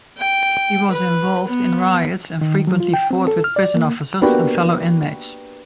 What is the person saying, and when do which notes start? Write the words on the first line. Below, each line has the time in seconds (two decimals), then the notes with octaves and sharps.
He was involved in riots and frequently fought with prison officers and fellow inmates.
0.18 G5
0.91 B4
1.47 B3
2.41 D#3
2.67 F#3
2.80 F4
2.94 G5
3.11 C4
3.28 A4
3.44 F6
3.56 D5
3.75 A#3
4.21 A#3 B3 D4 F#4 G4 B4